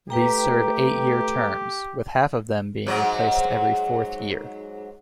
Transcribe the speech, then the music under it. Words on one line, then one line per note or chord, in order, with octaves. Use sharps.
These serve eight-year terms, with half of them being replaced every fourth year.
A3 G4 B4 G5 A#5
G#2 F#3